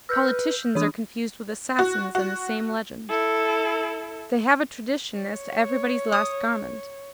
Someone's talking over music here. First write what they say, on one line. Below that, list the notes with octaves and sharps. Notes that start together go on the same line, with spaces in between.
"Politicians" are confused with assassins in the same legend. They have a tradition as to everybody's last garment.
B4 E6 F6 G6
E3 D4 D#6
F#4
F#4
E4 A4
C#5
D#6